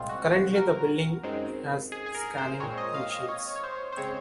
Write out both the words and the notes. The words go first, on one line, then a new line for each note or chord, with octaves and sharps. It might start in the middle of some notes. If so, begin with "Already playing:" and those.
Currently, the building has scanning machines.
Already playing: C2 A#2 G#3 C4 F4
F#4
F#4
A#4
F#2 D#3 G#3 C4
G#4
G#4
A#4
C5
A#2 G#3 C4 C#5
D#5
F5
D#5
C#5
C#5
C5
C5
C#3 G#3 C4 C#5